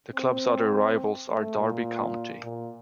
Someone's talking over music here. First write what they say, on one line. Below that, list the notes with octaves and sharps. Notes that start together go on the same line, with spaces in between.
The club's other rivals are Derby County.
C4
A3
A#2
A#2